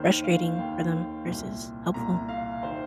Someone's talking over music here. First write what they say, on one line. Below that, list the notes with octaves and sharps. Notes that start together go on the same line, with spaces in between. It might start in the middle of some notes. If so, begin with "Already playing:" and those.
frustrating for them versus helpful.
Already playing: D#2 D#3 C5
F5
D#2 D#3 G5
C2 A#2
C2 A#2 A#5
F5
D#3 C5